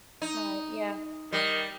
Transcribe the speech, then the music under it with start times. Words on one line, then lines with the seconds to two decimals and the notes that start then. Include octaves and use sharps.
Right, yeah.
0.22 D#4
1.32 D#3 G3